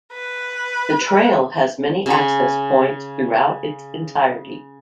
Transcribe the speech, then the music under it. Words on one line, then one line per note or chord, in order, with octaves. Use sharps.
The trail has many access points throughout its entirety.
B4
C#3 C#5